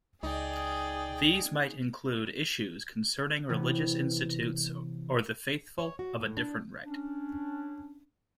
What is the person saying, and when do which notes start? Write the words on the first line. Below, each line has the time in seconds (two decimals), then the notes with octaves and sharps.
These might include issues concerning religious institutes or the faithful of a different rite.
0.23 C#2 D#4 G#4 D5 G5
3.49 C3 E3 B3 C#4
5.78 C#5
5.99 F#4
6.20 A2
6.37 D4
6.83 C#4 D4